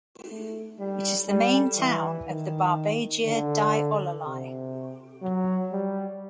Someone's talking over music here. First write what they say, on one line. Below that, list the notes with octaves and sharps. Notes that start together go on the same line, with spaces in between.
It is the main town of the Barbagia di Ollolai.
A3
G3
G3
E3
D#3
D3
C3
F#3
G3